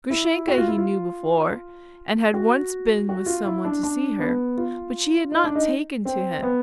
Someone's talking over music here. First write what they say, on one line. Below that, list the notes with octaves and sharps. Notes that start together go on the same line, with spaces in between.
Grushenka he knew before, and had once been with some one to see her; but she had not taken to him.
E4
F#4
F4
E4
F4
F#4
F#4
F4
E4
D4
D4
B3
F4
D#4
D4
D#4
C4
B3